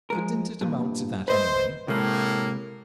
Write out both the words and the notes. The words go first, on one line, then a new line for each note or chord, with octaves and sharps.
"But didn't it amount to that anyway?"
F3 G#3 A#4
G2 A#2
B4 C5 D#5 E5
A2 C3 G#3 A#3